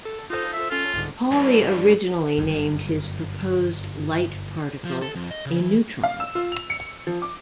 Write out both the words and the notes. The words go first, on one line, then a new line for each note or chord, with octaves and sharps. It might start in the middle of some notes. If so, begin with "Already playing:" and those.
Pauli originally named his proposed light particle a "neutron".
A4
D#4 F4 A4 C5
E5
C#4 F4 A4 F6
C2 G#2 D3
G2 E3
G1 F#2
F3
A4
F2
D#5
C#3
E3
F5
E6
F4
F7
C#7
F3
D6